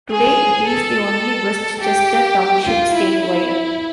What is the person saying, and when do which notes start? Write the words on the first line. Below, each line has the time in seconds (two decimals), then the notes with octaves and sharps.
Today, it is the only West Chester Township statewide.
0.10 G#4
0.67 A4
1.81 G4
2.65 F4
2.94 E4
3.21 E4